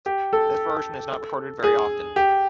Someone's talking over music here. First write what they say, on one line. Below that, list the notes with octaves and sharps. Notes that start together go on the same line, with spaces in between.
This version is not recorded very often.
G4
A4
G#4
G4